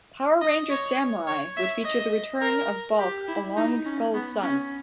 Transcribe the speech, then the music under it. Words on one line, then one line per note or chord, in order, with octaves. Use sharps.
"Power Rangers Samurai" would feature the return of Bulk along with Skull's son.
D#5
C#5
C#5
E5
D#5
A#4
G4
E4
D#4
C#4
B3
C#4